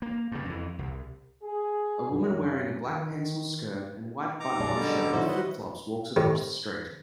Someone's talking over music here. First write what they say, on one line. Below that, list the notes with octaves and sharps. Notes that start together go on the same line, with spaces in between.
A woman wearing a black pencil skirt and white buttonup shirt with flipflops walks across the street.
A#3
G2 C#3
F2 E3
C2
G#4
F#2
D#3
D#4 A#5 D6
F#2 G#3 G4 D5 A5
B2 D3 G3
D#3 F#3 E4 F#4 C5
B4 D#5 F#5
A2 C3 D#3